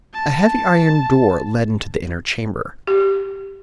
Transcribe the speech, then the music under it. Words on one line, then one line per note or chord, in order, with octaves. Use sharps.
A heavy iron door led into the inner chamber.
A5
G4